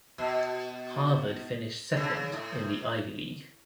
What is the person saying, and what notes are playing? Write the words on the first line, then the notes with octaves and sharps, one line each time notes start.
Harvard finished second in the Ivy League.
B2
C#3
D3
C#3
A2